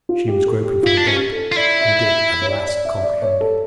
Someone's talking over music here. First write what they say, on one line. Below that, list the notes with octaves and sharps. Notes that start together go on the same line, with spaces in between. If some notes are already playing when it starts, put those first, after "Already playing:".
She was groping for the bolt, when Dick at last comprehended.
F4
G4
A4
G4
E4 F4
D4
C#4 G4
A4
F4
E4 D5
E5
E5
E5
C#5
D5
D5
E5
E5
D5
C#5
A4